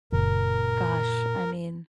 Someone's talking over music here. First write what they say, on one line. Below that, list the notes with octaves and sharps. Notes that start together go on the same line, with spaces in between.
Gosh, I mean,
F#1 A#2 A#4